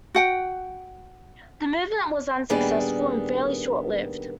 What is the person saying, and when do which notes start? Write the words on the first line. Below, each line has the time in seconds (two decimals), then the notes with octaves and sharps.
The movement was unsuccessful and fairly short-lived.
0.14 F#4 F#5 G5
2.50 A#2 D#3 G3 B3 D4 G#4